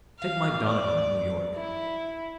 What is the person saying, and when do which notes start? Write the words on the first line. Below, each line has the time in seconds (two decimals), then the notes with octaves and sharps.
Take Mike Donovan, of New York.
0.19 F5
0.65 D5
1.55 E4